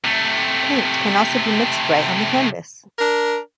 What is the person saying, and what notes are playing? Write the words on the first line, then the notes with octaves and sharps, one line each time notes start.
Paint can also be mixed right on the canvas.
C3 A3
D4 A#4